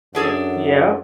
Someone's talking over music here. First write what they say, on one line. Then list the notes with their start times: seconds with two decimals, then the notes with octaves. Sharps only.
Yeah yep.
0.15 F#2 D4 G#4 A4 F#5